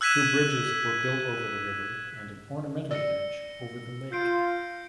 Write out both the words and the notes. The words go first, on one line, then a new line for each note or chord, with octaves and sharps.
Two bridges were built over the river and an ornamental bridge over the lake.
E6 F#6 G#6 B6 D#7 E7
D5 E6 A#6 C#7
F4 G6 C7 D7